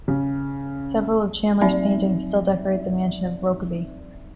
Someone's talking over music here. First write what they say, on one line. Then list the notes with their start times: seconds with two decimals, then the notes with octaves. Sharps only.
Several of Chanler's paintings still decorate the mansion at Rokeby.
0.08 C#3
1.61 F#3 C4 D#4 D5 E5